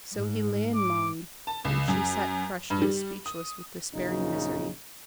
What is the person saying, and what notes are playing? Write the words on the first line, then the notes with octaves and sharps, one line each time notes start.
So he lay and moaned, and she sat crushed and speechless with despairing misery.
G#2
D6
A5
C#2
F#2
G2
G3
D#6
A#1 F#2 C#3 D#4